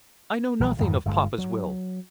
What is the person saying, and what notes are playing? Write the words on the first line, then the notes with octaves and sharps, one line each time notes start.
'I know nothing of papa's will.
A#1 E3 F#3 G3
F2 G#2 D#3 G3
G1 G2 D3 G#3
F#3